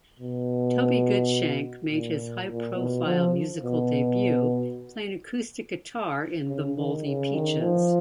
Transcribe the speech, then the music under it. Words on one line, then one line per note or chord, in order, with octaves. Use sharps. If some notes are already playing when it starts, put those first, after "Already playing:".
Toby Goodshank made his high-profile musical debut playing acoustic guitar in The Moldy Peaches.
B2
A#2
A#2
B2
F3
B2
C#3
D#3
C#3
D#3
F3